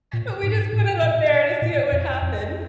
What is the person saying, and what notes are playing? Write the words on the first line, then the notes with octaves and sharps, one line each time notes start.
and we just put him up there to see what would happen,
A#2
G#2
A2
A#2
A#2
F2
F2